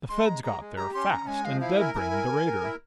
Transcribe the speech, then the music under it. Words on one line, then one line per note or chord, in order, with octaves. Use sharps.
The Feds got there, fast, and dead-brained the raider.
G#3 C6
G#3 A#5
G#3 A#5
G#3
G4 A#5
C#4 C6
C#4 A#5
G#3 G#5
F3 F5
E4 F5
A#4 G#5
E4 G#5 A#5
A#4
A#4
A#4
E4